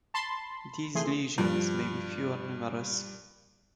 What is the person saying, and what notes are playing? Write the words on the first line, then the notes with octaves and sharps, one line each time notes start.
These lesions may be few or numerous.
A5 B5 C6
E3 A3 G#4 C6
G2 F3